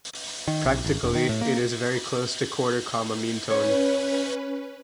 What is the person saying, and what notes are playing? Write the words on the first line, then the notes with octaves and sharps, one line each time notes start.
Practically it is very close to quarter-comma meantone.
D#3
B1
G#1
E1
D#3
A2
A#3
C#4 B4 C#5